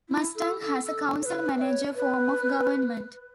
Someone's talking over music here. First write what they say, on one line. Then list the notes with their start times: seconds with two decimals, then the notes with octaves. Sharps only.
Mustang has a council-manager form of government.
0.09 E4
0.35 A4
0.59 A4
0.84 A4
1.22 C#5
1.26 B4
1.59 E5
1.62 C#5
1.96 B4